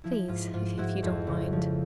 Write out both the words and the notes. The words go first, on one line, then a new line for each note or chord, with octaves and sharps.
"Please--if you don't mind."
F3 E4
G#2 F4
G#2 F4
G#2 E4 F#4
F2
C#3
F3